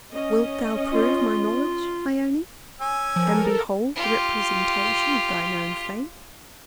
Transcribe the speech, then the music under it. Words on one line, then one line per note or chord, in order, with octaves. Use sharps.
'Wilt thou prove my knowledge, Ione, and behold the representation of thine own fate?
C#4 D#5
F4
C#4 G#5 E6
F3 A4 A#4
F4 G4